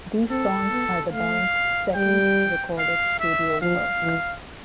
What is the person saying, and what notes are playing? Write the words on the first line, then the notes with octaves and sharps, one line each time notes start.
These songs are the band's second recorded studio work.
C4 A4
B3
A3 F5
G3 G5
F5
E5
F3 F5
E3